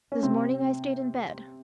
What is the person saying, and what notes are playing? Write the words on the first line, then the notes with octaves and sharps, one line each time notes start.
This morning I stayed in bed.
C#4
C3 C4